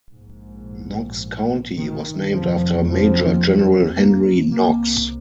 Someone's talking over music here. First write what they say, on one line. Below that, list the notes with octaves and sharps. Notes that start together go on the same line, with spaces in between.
Knox County was named after Major General Henry Knox.
A#1 G#2
D#3
F1 F2 C3 F3
F3
A#3
C2 C3 A#3